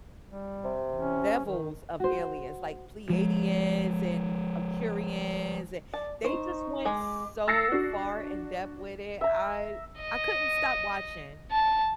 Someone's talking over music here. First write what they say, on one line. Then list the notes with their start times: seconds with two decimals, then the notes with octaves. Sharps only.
levels of aliens, like, Pleiadians, and Aqirians and they just went so far in depth with it, I I couldn't stop watching.
0.28 G3
0.64 C3
0.95 C#4
1.44 D#3
2.00 F#4 C5
3.10 F3 G#3
5.94 D5 A5
6.24 D#4 C5 C#6
6.85 G#3 D6
7.48 E6 A6 A#6 C7 C#7
7.72 D4 F#4
9.21 E5 A#5
10.01 D#5
11.51 A5